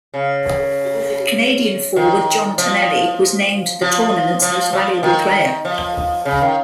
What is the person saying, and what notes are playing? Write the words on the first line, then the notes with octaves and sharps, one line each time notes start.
Canadian forward John Tonelli was named the tournament's most valuable player.
C#3
D#3
F3
F3
F3
F3
D#3
F3
C#3
D#3